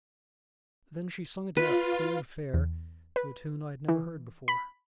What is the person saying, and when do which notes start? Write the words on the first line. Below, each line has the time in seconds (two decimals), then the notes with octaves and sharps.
Then she sung it out clear and fair to a tune I had never heard before.
1.57 F4 B4
2.54 E2
3.16 B4
3.88 E3
4.48 B5